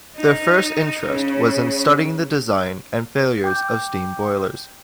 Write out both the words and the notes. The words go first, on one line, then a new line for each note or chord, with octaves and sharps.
Their first interest was in studying the design and failures of steam boilers.
D#4
C#3
G5 D6 G6